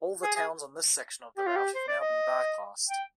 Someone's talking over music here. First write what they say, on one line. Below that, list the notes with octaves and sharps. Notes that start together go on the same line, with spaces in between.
All the towns on this section of the route have now been bypassed.
G#4
G#4
G4
F4
G4
C5
D5
D#5
G5